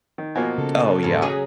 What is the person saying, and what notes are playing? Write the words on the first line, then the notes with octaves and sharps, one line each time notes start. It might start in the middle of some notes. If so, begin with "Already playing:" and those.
Oh, yeah.
D#3
B2 F3 A#3 G#5
C#3 A4
F2 G#2
F#3 C#4 G#4